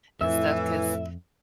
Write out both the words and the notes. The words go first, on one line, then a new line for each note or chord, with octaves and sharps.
and stuff 'cause
F2 A2 E3 E5